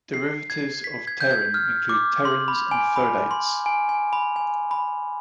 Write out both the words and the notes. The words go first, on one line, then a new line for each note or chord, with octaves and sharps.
Derivatives of pterin include pterins and folates.
C7
G#6
B6
G#6
G6
G#6
F6
D6
C6
B5
G#5
B5
C6
G#5
G#5
B5
G#5
B5